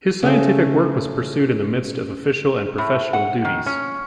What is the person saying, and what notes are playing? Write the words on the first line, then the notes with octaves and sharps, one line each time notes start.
His scientific work was pursued in the midst of official and professional duties.
C#3 A3
A2
F#5
D#3
C#4